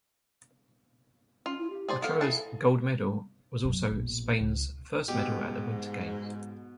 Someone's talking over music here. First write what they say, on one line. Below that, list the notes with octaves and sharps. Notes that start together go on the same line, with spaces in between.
Ochoa's gold medal was also Spain's first medal at the Winter Games.
C#4 F4
E4
G4
G#4 C5 D5
B3 A4 F5
E3 G#4 A5
F#2 F#3
A#1 B2
C#2
G#2 B2 G4